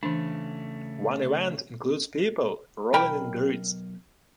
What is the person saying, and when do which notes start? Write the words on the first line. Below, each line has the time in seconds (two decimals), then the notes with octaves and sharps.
One event includes people rolling in grits.
0.03 C#3 E3 A3 D4
2.93 B1 A#4 G5 B5